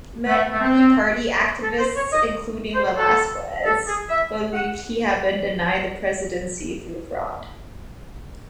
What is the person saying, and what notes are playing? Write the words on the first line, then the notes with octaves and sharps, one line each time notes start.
Many party activists, including Velasquez, believed he had been denied the presidency through fraud.
A3
A3
C4
A4
C5
C#5
D#5
C5
A4
A4
G#4
E5
F#5